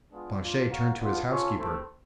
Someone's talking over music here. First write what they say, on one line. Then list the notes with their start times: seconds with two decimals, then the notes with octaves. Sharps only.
Planchet turned to his housekeeper.
0.12 G#3 B3 D4 F4 G#4
0.41 A#3 D4 F4
0.69 F#4 A#4 C#5 F5
0.99 B3 D4 F4
1.27 C#4 F4 A4 C#5
1.57 A3 C4 E4 A4